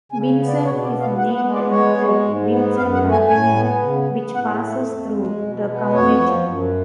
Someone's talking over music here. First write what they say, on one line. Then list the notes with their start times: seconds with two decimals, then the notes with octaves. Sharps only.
Vincent is named after Vincent Avenue which passes through the community.
0.12 C#3 G#5
0.38 B3
0.47 D5
0.65 B2 C#5
0.83 D5
0.92 B3
1.01 F5
1.18 B3 F#5
1.35 F#5
1.44 G#3
1.53 D5
1.71 B3 C#5
1.98 G#3
2.24 G#2
2.50 B3
2.76 F#2 F5
2.93 F#5
3.03 A3
3.12 G#5
3.29 A2 G#5
3.56 B3
3.82 C#3
4.09 B3
4.35 A2 F#5
4.52 G#4
4.61 A3
4.70 A4
4.88 F2
5.14 G#3
5.40 B2
5.67 B3
5.93 F2 C#5
6.20 F3
6.46 F#2